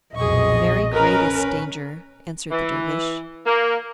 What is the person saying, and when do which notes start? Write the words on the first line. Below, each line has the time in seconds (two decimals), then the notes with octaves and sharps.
"The very greatest danger," answered the dervish.
0.15 B1 F2 A#2 G#4 D#5 C#6
0.93 C#4 A#4 B4
2.51 E3
3.46 A#3